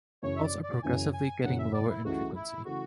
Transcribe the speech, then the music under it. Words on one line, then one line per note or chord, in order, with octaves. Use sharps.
Calls are progressively getting lower in frequency.
F#2 C#3 E3 C#5
E5
D5
D5
F#2 C#3 E3 G#5
G#5
F#2 C#3 E3 F#5
E5
D5
E4
C#2 C#3 E3 A3 E4 F#4
E4
C#3 E3 A3 E4 F#4